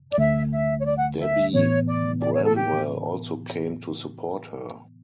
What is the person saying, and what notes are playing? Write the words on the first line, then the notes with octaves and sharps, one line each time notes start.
Debbie Bramwell also came to support her.
D5
D2 D3 A3 E5
E5
C#5
D5
F#5
E5
A2 E3 B3 C#5
D5
D5
C#5
A4
G4